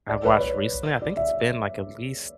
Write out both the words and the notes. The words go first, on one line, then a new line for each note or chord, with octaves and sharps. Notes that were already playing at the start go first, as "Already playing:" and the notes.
I've watched recently, I think it's been, like, at least
D5
B4
C#5
D5
E5